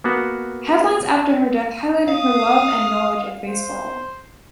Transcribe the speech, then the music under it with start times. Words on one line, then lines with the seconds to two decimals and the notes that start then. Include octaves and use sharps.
Headlines after her death highlighted her love and knowledge of baseball.
0.04 A#3 B3 F#4
2.08 F5 D#6
3.47 C5